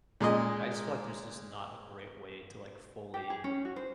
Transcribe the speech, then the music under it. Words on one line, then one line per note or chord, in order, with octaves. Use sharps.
I just feel like there's just not a great way to, like, fully
A#2 G#3 G#4 D#5
G4
G#4
C#4
F#4
C5